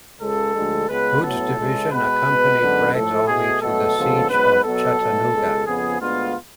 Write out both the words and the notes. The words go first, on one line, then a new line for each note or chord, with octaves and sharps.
Hood's division accompanied Bragg's army to the siege of Chattanooga.
C#2 C#3 G#3 A4
D2 D3 F3 G#3
C#2 C#3 G#3 B3 B4
A2 F#3 B3 A4
C#2 C#3 G#3
B2 G#3 B3 B4
B2 G#3 B3
F#2 D3 G#3 B3
A2 F3 A3 A4
B2 A3 G#4
B2 F#3 A3 A4
D2 C#3 F3 G#3 B3
G#2 F#3 B3 B4
B2 F#3 B3 A4
B2 F#3 A3
C#2 B2 G#3
F2 C#3 F3 B3 G#4
D2 D3 G#3 B3 F4